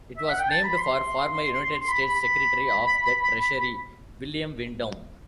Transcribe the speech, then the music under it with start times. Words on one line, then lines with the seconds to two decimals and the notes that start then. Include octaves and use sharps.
It was named for former United States Secretary of the Treasury, William Windom.
0.18 E5
0.29 F#5
0.39 G5
0.50 A5
0.64 B5
0.78 C6
1.74 C6
1.88 B5
2.02 B5
2.16 B5